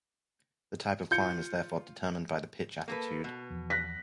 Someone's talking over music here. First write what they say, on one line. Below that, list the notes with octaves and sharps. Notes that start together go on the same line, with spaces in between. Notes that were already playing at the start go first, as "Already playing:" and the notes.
The type of climb is therefore determined by the pitch attitude.
F4 G6 C#7
A#3 A4 B4
B2
E2 F3
F#6 A#6 B6